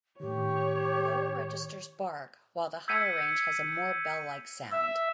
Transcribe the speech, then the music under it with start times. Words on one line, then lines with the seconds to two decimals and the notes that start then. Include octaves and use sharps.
The lower registers "bark", while the higher range has a more bell-like sound.
0.20 A2 D#3 G4 C#5
2.88 E6 G6 G#6 B6 C#7 D#7
4.72 E5